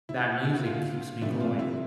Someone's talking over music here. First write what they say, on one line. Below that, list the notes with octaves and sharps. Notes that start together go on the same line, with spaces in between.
that music keeps me going.
E4
F4
F2 C3 F3 A3 D4 E4
F4
E4